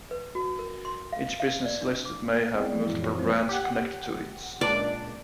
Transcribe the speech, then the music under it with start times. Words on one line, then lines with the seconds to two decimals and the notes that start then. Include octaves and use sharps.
Each business listed may have multiple brands connected to it.
0.11 B4
0.35 F#4
0.59 A#4
0.85 C6
1.13 F5
1.40 F5
1.66 D5
1.81 D4
2.05 D6
2.53 B3 C4 E4 G#4 D5 G5
2.69 E3 F3 G#3 D5
2.85 F#2 A#2 E3 E4
3.00 F4 F#4 C#5
3.15 F3 G#3 C4 E4 C5
3.49 G4 F#5
4.61 C#2 A#2 D4 D5